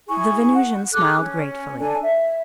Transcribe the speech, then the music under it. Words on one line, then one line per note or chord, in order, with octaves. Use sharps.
The Venusian smiled gratefully.
E4 G#4 G#5 C#6
F#5
G#4 A4 D6 F#6
C#4
D4 A4 D5 G#5
E5